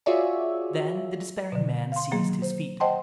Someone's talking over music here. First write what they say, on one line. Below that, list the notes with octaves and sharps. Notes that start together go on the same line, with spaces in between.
Then the despairing man seized his feet.
F4 F#4 G#4 C#5 D5 E5
B2 D3
F5 C6
D#3 F#3 A#3 G#4
C5
C5 D#5 F#5 G5 A5 C6